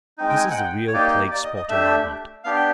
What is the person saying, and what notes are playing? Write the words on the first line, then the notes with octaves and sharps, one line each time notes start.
This is the real plague-spot in my heart.
G#3 C4 D#4
G5
G#5
F#5
G5
C#5
A#3 D#4 G4 D5
D5
D#5
D#5
A3 D4 G4 E5
B3 D4 G4 F5
G5